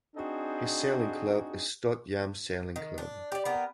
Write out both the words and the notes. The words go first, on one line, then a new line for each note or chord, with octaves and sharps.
His sailing club is Sdot Yam Sailing Club.
C4 D4 D#4 F#4 G#4
D#3
D4
G4 D5
B3 G4 A#4